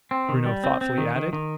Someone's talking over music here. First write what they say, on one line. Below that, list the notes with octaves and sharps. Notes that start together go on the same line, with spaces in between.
Bruno thoughtfully added.
C4
D#3
G3
C4
C4
D#3
D#3
D#3